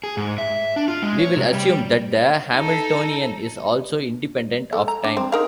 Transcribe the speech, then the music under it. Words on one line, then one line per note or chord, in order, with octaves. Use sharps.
We will assume that the Hamiltonian is also independent of time.
G#4
G#2
E5
D4
F4
G#3
C#5
C3
G3
D#4 A4
A4
A#5
D4
C4
D#4 A#4 F5